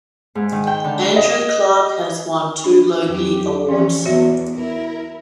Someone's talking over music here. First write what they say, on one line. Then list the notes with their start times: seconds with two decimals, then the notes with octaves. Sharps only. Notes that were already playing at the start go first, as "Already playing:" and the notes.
Andrew Clarke has won two Logie Awards.
0.35 G#2
0.52 D#3
0.67 G5
0.84 D3
1.16 D#5
2.64 D4
3.05 F2 F#3 G4
3.69 E3 F3 C#4 D5
4.06 E2 B2 B3 F#4 C#5 E5
4.56 E4 A#4